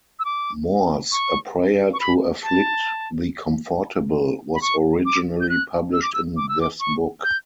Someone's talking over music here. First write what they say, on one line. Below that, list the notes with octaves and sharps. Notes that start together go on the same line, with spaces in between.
Moore's "A Prayer to Afflict the Comfortable" was originally published in this book.
E6
D6
C#6
C#6
B5
A5
B5
C#6
D6
G6
F#6
E6
D6
E6
D6
E6
D6
C#6
G6